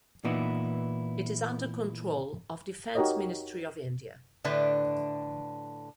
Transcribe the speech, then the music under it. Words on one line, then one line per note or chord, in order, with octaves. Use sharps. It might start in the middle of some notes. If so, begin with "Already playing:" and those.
It is under control of Defence Ministry of India.
A#2 E3 B3 D#4 E4
D#4 F#4 G4 A#4 C#5 D#5
A2 D3 D4 B4 E5